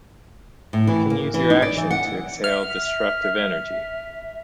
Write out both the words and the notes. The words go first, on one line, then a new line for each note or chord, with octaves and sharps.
You can use your action to exhale destructive energy.
A2
E3
A#3
E3
D#4
D5
E3
F#5
E5 F6